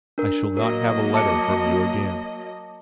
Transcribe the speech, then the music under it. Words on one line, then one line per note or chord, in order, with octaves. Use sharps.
"I shall not have a letter from you again."
D4 A#4
F#3 A#3 A#4 D#5
A5 D6 C#7